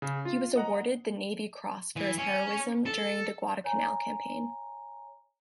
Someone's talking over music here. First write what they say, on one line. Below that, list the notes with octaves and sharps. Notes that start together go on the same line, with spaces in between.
He was awarded the Navy Cross for his heroism during the Guadalcanal campaign.
C#3
F4
D#5 F#5 A#5
E3
C#4
A4
C#5 G#5 A#5